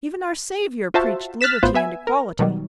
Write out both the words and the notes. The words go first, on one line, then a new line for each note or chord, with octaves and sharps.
Even our Saviour preached liberty and equality.
F4 F#4 C5 E5 A5
F6 F#6 A6 B6 E7
A1 A2 B3 F4 C5
B3 E5 G#5
A#4
B2 D#3 F#3 G3